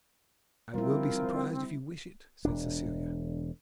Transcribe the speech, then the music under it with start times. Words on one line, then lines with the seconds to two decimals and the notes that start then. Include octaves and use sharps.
"I will be surprised if you wish it," said Cecilia.
0.74 F3 G3 C4 E4 F4 A#4
2.45 E1 D4